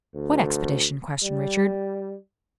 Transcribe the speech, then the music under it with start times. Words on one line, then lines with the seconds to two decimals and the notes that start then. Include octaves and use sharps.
"What expedition?" questioned Richard.
0.14 D2
1.23 G3